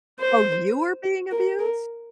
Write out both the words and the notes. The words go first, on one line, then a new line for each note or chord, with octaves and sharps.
Oh, you were being abused?
C5
A#4
A#4